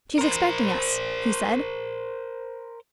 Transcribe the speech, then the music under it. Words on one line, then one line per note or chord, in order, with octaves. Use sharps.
"She is expecting us," he said.
A#4 C5